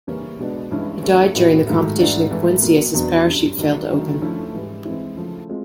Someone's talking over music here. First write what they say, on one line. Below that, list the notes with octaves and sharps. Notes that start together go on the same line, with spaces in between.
He died during the competition in Quincy as his parachute failed to open.
C#3 E3 G3 A#3 C#4
B2 G#3 B3 D4
G2 E3 G#3 C#4 E4
E3 A3 C#4
A2 F#3 B3 D#4 F#4
G#2 D#3 F#3 A3
G#2 E3 A3 D4 F#4
G#2 E3 A3
B2 F#3 A#3
E2 B2 F#3 B3 D4
F#2 D3 G3
G2 D#3 F#3 A3 D4
G2 D#3 F#3 A3
D3 F3 A3 C#4 E4
G#2 E3 G3
E3 G#3 C4 E4
C#3 F3 A3
G#3 C4 F4